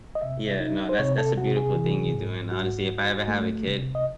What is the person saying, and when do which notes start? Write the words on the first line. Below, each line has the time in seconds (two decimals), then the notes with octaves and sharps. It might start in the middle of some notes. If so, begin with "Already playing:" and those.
Yeah, no, that's that's a beautiful thing you're doing, honestly, if I ever have a kid,
0.15 D#5
0.22 C3 E5
0.60 D#4
0.89 C5
0.99 C3 C#5
1.18 A4
1.37 C3 F#4
1.57 G#4
1.75 E3
2.13 G#2
2.52 G#2 F#4
2.90 G#2
3.28 A3
3.67 C3
3.95 D#5